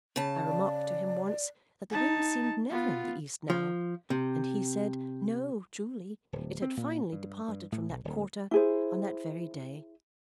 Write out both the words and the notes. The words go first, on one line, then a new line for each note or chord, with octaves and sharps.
I remarked to him once that the wind seemed never in the east now, and he said, no, truly; it had finally departed from that quarter on that very day.
C#3 A5
D5
D#4 A5
B3 F4
F3
C3
D1
C4
A#2
G2
G2
A2
B1
D1
E4 G#4 C5